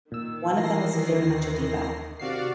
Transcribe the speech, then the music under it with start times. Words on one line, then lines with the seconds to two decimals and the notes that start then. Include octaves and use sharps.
one of them was very much a diva,
0.12 A#2 D#3 E6
0.53 E3 A#4 A#6 C7
1.12 D#2 D3
2.20 C3 F#4 D5 F5 C7